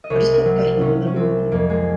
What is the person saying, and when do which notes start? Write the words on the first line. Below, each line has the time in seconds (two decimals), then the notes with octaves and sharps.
I'll just pop the kettle on and then I'll be with you.
0.04 D#5
0.10 C2 C#5
0.33 A#4
0.45 F#3
0.57 F4
0.81 C3 C#4
1.07 C#4
1.16 C2 C4
1.52 F2 A#3
1.70 G#3